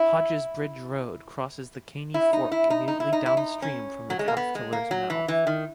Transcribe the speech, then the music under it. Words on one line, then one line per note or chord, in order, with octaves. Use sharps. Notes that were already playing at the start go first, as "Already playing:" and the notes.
Hodges Bridge Road crosses the Caney Fork immediately downstream from the Calfkiller's mouth.
Already playing: E4
E4
D#4
E4
D#4
D#4
E4
D#4
E4
D#4
C#4
F#3
G#3
A#3
B3
G#3
A#3
F#3
E3
E3
D#3